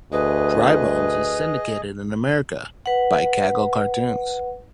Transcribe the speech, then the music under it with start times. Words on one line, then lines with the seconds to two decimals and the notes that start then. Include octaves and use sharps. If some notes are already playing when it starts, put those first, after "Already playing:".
Dry Bones is syndicated in America by Cagle Cartoons.
0.12 D2 G#4 B4 D#5
2.86 B4 F#5